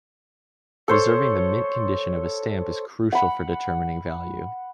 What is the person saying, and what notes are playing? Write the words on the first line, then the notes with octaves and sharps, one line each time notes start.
Preserving the mint condition of a stamp is crucial for determining value.
A4 C5 C#5
F#5 B5